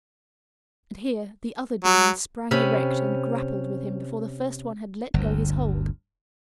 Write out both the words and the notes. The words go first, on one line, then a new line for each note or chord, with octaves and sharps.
And here, the other Demon sprang erect and grappled with him before the first one had let go his hold.
F#3
C3 C#4 B5
G1 D2